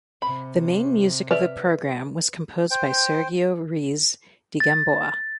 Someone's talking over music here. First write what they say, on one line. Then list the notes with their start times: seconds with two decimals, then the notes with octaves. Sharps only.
The main music of the program was composed by Sergio Ruiz de Gamboa.
0.22 C3 B5
1.31 B4 D5 E5
2.71 C5 G5
4.60 A6